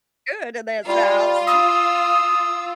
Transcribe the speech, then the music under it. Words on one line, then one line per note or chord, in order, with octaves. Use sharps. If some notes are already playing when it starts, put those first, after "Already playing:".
good in this house."
G3 F4
D#6 E6